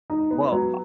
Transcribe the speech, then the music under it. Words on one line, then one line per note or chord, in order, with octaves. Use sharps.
Well, ah
D#4
B3
F#3